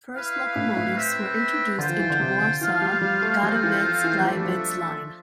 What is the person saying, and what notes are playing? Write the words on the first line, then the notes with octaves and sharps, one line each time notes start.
First locomotives were introduced into Warsaw-Katowice-Gliwice line.
E4 B4 F5
A2
A2
C4 E4 B4 E5 G5
D3 F4 C5 G5
F3
E3
D3
C3
D3
E3 F4 C5 F5
G3
G3
A3
G3 C4 F4 A4 C5 F5
E3
F3
E3
G3
F3 A3 D4 A4 E5
G3
F3